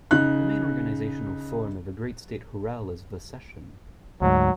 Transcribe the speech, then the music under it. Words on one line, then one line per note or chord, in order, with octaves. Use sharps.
The main organizational form of the State Great Hural is the session.
C#3 D#4 F#6
D2 G#2 F#3